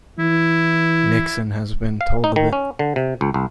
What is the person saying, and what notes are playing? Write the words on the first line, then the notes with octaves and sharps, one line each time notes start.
Nixon has been told of it.
E3 E4
F5
D#4
D#3
C#4
D3
C3
C#2
C2